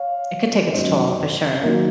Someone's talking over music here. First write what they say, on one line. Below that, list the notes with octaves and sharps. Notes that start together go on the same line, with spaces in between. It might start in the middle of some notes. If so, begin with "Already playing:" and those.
it could take its toll for sure.
Already playing: C#5 F5
F#2 D#3 F#3 C5 D#5
D#3 F#3 A#3